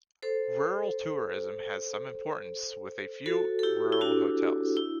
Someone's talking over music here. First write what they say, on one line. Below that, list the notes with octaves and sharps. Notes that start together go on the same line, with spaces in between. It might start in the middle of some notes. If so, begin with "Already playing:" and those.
Rural tourism has some importance with a few rural hotels.
A4 C5
F#4 A4
A4
E4 G4
E4
D4 F#4
E4